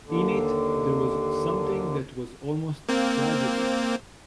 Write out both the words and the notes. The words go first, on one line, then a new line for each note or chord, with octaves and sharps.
In it there was something that was almost tragedy.
D#2 D3
A#3 C4